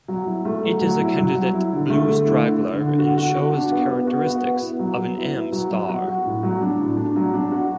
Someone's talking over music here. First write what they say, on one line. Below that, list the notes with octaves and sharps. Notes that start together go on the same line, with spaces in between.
It is a candidate blue straggler and shows characteristics of an Am star.
F#3
E4
A3
F#3
F#3
E4
F#3
F#3
E4
D3
A3
D3
E4
D3
D3
D3
F#4
F#4
F#4
D4
B3
B3
F#4
B3
B3
E4
F#3
B3
E4
E4
F#3
F#3
F#4
F#4
A2
F#3
D4
A2
D4
F#3
D4
F#4